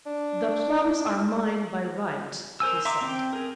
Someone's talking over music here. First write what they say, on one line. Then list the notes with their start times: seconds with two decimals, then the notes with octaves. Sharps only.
"The plums are mine by right," he said.
0.06 D4
2.60 A#4 C5 G#5 E6
2.85 E5 A#5 C6 D6 E6
3.01 C4 G5
3.33 G#4 A#4